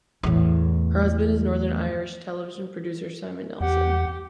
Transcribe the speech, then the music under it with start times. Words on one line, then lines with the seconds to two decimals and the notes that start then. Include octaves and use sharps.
Her husband is Northern Irish television producer Simon Nelson.
0.23 E2 A2
3.60 E2 G4 F#5